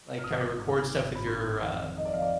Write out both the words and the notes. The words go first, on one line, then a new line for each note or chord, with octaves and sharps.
like try to record stuff with your, uh,
F6
G#1 D#6
G3 D6
G#2
G#1
G#1
G#1
B5
G#2 C6
G#2
F2
D#3
G3 D#5
D5
F2 F5
D5